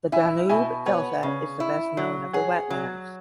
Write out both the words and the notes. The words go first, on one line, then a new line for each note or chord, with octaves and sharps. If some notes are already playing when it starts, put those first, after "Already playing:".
The Danube Delta is the best known of the wetlands.
E4 E5 G#5
B2 E5 G#5
B3 C#5 F#5
C#3
E4
F#3
G#4 C#5 F#5
F#3